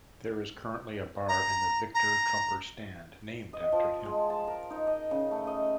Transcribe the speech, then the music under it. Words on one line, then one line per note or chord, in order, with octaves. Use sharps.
There is currently a bar in the Victor Trumper Stand named after him.
A#5
A#5
D#5
F3
G#3
A5
A#4
D#4
D#5
C#3
A3
D#5